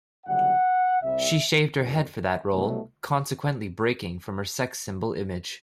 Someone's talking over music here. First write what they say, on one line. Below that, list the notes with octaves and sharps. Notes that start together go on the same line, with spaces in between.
She shaved her head for that role, consequently breaking from her sex symbol image.
F#1 F#2 D3 G3 F#5
C2 C3 G3 E5
F#1 E2 D3
C2 B2 F#3 A3